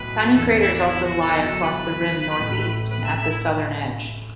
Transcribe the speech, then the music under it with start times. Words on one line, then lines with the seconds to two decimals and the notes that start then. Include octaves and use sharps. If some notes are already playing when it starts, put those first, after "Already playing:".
Tiny craters also lie across the rim northeast and at the southern edge.
Already playing: B1 A2 F#3 B4
0.35 E2 E3 B3 D4 A4
0.61 E4
0.74 D4
0.87 E4
1.04 F#4
1.21 A4
1.37 F#2 D3 F#3 B3 A4
1.63 B4
2.40 A1 A2 A3
2.91 B4
3.04 E5
3.17 E5
3.30 E4